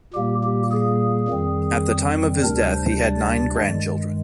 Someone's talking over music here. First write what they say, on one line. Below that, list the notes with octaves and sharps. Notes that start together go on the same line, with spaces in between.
At the time of his death he had nine grandchildren.
A#2 G3 A#3 G4
G4
G#4
F2 D#3 G3 C4
D2 C3 G3 D4 A#4
C5
D5
G2 D#3 G#3